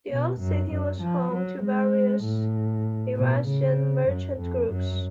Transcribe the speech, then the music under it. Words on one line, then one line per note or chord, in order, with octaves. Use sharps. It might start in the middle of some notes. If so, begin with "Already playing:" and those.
The old city was home to various Eurasian merchant groups.
B2
F#2
F#2
F3
F#3
G#3
A2
B2
C#3
F#2
F2
F#2